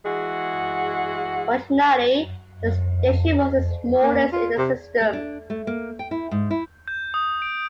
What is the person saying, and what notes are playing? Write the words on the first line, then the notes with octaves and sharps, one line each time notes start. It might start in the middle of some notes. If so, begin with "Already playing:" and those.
Originally, the station was the smallest in the system.
E3 G#3 F#4 G#4 F#5
A#3
F4
C3
A3
D4
A3
A#3
G5
E4
G#2
E4
G6
D#6
D7